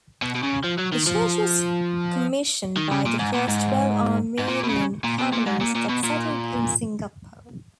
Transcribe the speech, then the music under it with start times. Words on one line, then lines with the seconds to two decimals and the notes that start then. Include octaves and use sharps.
The church was commissioned by the first twelve Armenian families that settled in Singapore.
0.22 B2
0.35 B2
0.43 C#3
0.64 F3
0.78 F#3
0.93 D#3
1.07 F3
2.77 D#3
2.91 C#3
3.06 A#2
3.19 G#2
3.34 A#2
3.48 G#2
4.39 G#2
4.48 A#2
4.64 B2
4.69 C#3
5.04 A#2
5.19 B2
5.33 A#2
5.46 G#2
5.61 A#2
5.75 A#2
5.89 B2
6.04 A#2